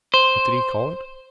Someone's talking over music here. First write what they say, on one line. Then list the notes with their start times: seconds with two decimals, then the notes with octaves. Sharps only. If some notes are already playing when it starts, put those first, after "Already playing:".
What did he call it?
0.14 C5